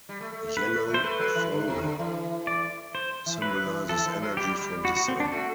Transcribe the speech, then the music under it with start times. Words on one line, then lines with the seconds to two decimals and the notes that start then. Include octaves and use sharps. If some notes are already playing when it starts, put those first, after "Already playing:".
Yellow foal symbolizes energy from the Sun.
0.09 G3
0.21 A3
0.33 A3
0.44 A3
0.57 B3 B4
0.73 A3
0.88 A3
0.94 C5
1.03 A3 B4
1.20 F#3
1.35 E3
1.52 D3
1.68 C3
1.83 D3
1.99 E3
2.47 D5
2.95 C5
3.26 E3
3.42 F#3 B4
3.66 E3
3.89 E3 A4
4.06 E3
4.21 F#3
4.37 G3 G4
4.61 G3
4.85 F#4
4.97 F#4
5.08 C4
5.20 D4
5.32 A3 F#4